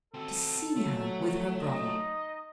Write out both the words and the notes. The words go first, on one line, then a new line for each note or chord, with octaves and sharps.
To see her with her brother!
C4 F#4 A4
F#3 A3
D#4 D#5